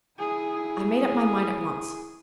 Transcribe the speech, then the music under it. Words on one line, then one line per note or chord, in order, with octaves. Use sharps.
I made up my mind at once.
E4 G#4